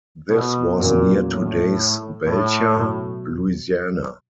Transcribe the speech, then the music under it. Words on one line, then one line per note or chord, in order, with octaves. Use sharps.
This was near today's Belcher, Louisiana.
B2
E2 A#2 C#3 F#3 A#3
A2
A2
B2 F#3 B3